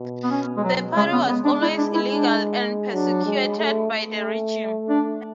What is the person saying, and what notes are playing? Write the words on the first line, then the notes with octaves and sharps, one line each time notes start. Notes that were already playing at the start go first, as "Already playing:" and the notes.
The party was always illegal and persecuted by the regime.
Already playing: B2
B3
C#4
G#3
F#3
C#3 G#3
B3
G#3 B3
D4
E4
D4
E4
D4
F#3 D4
G#3
A3
A3
D4